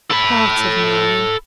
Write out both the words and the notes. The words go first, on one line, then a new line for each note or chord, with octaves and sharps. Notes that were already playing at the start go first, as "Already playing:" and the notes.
Heart of mine!
A4 B5